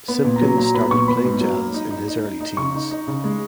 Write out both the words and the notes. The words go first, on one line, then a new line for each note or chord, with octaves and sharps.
Simkins started playing jazz in his early teens.
B3
A#2
A#5
F#3
A#2 A#5
B3 B5
A#2 C#6
B3 B5
G#2
F#3
A#3
D#4
D#4
D#4
D#4
D#4
C#3 C#6
D#4
D#4
C#3
G#3